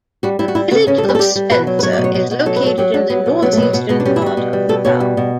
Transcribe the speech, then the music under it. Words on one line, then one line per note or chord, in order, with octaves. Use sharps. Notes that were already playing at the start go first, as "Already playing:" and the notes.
The village of Spencer is located in the northeastern part of the town.
G3 F#4
G3 E4
F#4
G3 E4
C#3 B3
C#3 C#4
A4
G3
B4
A4
G3 G4
G3
B2 B4
F#3
B4
F#3 C#5
D5
B2
C#5
B2
B2
F#3 A4
B4
F#3 A4
F#3 G4
F#3 D4
F#3 B3
B2
F#3 B3
A3
B2
B3
B2 B3
B2 B3
D4
G3 C#4
E4
G3 F#4
B2
G3
B2 A4
B2 C#5
G3
B2